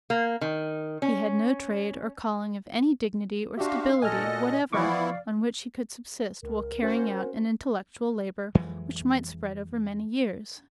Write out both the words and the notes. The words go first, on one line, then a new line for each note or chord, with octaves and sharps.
He had no trade or calling of any dignity or stability whatever on which he could subsist while carrying out an intellectual labour which might spread over many years.
A#3
D#3
C#4
D4 F#4 G4 E5 F5 C6
A#2 F#4 A4 D#5 G#5 F6
E3 F3 B3 E4 D5 F5 C#6 D6
C#2 A#4
C#4 F#4 C5
F2 E3 F#3 G#3